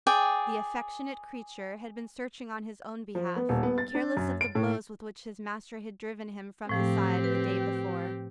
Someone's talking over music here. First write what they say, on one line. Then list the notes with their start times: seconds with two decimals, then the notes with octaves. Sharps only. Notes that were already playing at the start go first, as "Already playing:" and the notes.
The affectionate creature had been searching on his own behalf, careless of the blows with which his master had driven him from his side the day before.
0.07 G#4 D5 G5
3.15 F3
3.36 B3
3.49 D#1
3.63 B3
3.78 A6
3.95 D4
4.17 F#2
4.41 D7
4.55 A2
6.69 A2 F3 A3 C4 G4
7.24 B4